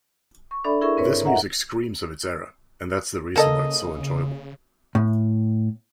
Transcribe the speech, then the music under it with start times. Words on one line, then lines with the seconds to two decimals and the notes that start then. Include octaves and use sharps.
This music screams of its era and that's the reason why it's so enjoyable.
0.51 C#6
0.64 D4 A4 D5 E5 B5
0.81 E4 G#4 A#4 E5 C#6
0.97 G#2 C4 A#4 B4 C#5
1.25 D#5 E5 F#5 A#5
3.36 C#3 A#3 A4 D#5
4.95 A2